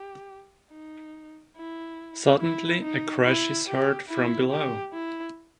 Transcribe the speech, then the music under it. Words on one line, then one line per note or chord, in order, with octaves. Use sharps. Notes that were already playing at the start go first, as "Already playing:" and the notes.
Suddenly, a crash is heard from below.
Already playing: G4
D#4
E4
E4
D#4
E4
G4
E4
G4
E4